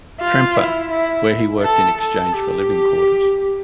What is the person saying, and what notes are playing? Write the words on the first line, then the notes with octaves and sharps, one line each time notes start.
Tremper, where he worked in exchange for living quarters.
F4
E4
E4
A4
A4
G4